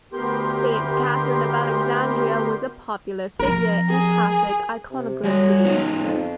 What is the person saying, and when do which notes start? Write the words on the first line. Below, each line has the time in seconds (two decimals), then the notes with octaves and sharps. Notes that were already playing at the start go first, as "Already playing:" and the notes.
Saint Catherine of Alexandria was a popular figure in Catholic iconography.
0.13 D2 B3 G4 A#4 C6 G6
3.39 F3 C4 A#4
3.90 G#4
4.90 C3
5.24 F#3 G3 G#5
5.65 B3 D#4 F4
6.00 F2